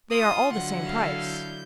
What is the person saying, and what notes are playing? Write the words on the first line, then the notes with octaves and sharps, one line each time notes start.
"They are all the same price."
F4 D#6
D3 F#3 E4 F#5
A4 F5
G6